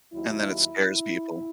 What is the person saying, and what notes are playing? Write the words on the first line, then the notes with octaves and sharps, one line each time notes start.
And then it scares people.
D#2 D#3 F#3 E4